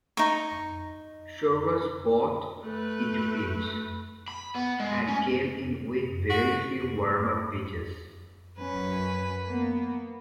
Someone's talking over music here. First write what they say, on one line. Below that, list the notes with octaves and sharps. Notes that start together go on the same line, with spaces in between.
Shore was brought in to pitch, and came in with very few warmup pitches.
D#4 C#6
A3 B4
B5
B3
G#3
C#4
F#4
F#2 C#4 B4
A#3 B3